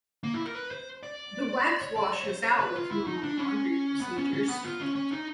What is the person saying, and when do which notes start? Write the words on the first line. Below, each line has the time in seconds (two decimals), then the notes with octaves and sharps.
The wax washes out with normal laundry procedures.
0.23 A#3
0.34 E4
0.46 A#4
0.56 B4
0.71 C5
1.03 D5
1.82 C#5
1.96 D5
2.13 C#5
2.24 C#5
2.29 C5
2.44 C#5
2.59 B4
2.76 F4
2.91 E4
3.07 D#4
3.23 D4
3.38 C#4
4.01 B3
4.18 C#4
4.33 C#4
4.49 B3
4.64 F4
4.81 C#4
4.95 C#4
5.11 D#4